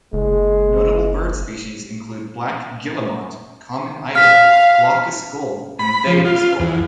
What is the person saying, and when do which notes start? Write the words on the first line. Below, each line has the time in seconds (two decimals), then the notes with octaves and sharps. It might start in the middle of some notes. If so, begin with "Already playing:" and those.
Notable bird species include black guillemot, common eider, glaucous gull, and Thayer's gull.
0.13 F#1 G#3
4.15 F5 F6 B6
5.79 B5
6.07 F3
6.25 F4
6.60 E2